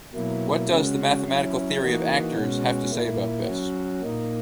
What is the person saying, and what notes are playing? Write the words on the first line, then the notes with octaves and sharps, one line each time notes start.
What does the mathematical theory of Actors have to say about this?
B2 F#3 A#3 E4
C#3 G#3 C#4 F#4
F#3 C#4 E4
E3 A#3 D#4 F#4
B2 G#3 C#4 F#4
A#2 A#3 E4
F#3 C#4 F#4
A#2 A#3 D#4